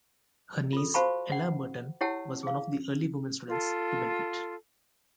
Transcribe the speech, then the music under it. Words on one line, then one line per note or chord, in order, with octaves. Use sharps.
Her niece Ella Burton was one of the early women students to benefit.
F4 A4
F#4 C5 F5 A5 B5 C#6
F#5
E4 G4 C#5 F#5 A5 E6
G#4 F5
F4 A4